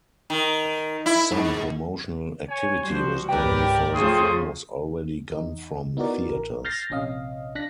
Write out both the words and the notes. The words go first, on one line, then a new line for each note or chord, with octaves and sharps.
Some promotional activity was done before the film was already gone from theaters.
D#3
E4
G#2
C#5 G#5
F3 G3 F#4 C5
C#2 G#2 G4 A#4 B4 D5 G5
C#3 F3 A3 C6 C#6 D#6
E2 D#4
B3 D#4 E4 F#4 A#4 D5
A1 A#4
F6 G6 A6 A#6 C7
A#1 C3 C#4 D#5 F5
D4 F#6 A#6 B6